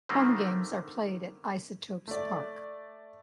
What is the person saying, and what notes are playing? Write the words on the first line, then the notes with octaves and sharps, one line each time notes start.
Home games are played at Isotopes Park.
D3 D#3 G3 A3 A#3 C4
A3 D5